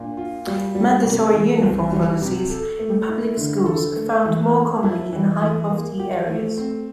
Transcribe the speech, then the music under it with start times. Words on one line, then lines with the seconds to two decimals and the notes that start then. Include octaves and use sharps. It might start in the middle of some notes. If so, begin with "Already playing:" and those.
Mandatory uniform policies in public schools are found more commonly in high-poverty areas.
Already playing: A#2 D4
0.17 F4
0.47 G3
0.75 G3
1.05 C3
1.33 E3
1.63 C2
1.92 G3
2.22 C3
2.50 A4
2.79 A3
3.09 E4
3.37 D3
3.66 A4
3.96 A3
4.25 E3
4.54 A#3
4.83 E4
5.13 E3
5.41 E3
5.70 A#3
6.00 G4
6.28 A3
6.58 C4